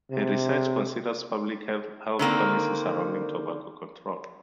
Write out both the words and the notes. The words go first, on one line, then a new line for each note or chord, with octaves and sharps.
Her research considers public health policy surrounding tobacco control.
C3
D3 D#3 A#3 C4